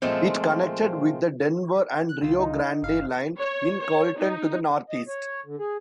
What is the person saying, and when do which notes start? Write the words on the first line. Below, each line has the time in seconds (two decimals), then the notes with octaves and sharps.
It connected with the Denver and Rio Grande line in Colton to the northeast.
0.02 A#2 F3 G#3 A3 C4
2.09 F#6
2.22 C#2 F4
2.39 D#4
2.82 G1 F5
3.39 C#5
3.82 C#5
4.18 D#4
4.90 D#5
5.08 C#5
5.46 D3
5.59 G#4